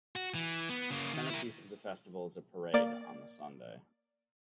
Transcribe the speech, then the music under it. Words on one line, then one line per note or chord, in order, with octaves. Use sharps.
The centrepiece of the festival is a parade on the Sunday.
F#4
E3
B3
C#3 A#3
D#3
E4 A#4
A#3 D5